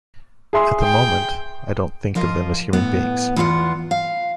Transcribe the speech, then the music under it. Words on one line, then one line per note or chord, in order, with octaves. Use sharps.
At the moment, I don't think of them as human beings.
G#4 E5 C6
G5
F3 F4 A#4 D#5
A2 B3
E2 B3 F4 F5 F#5
F5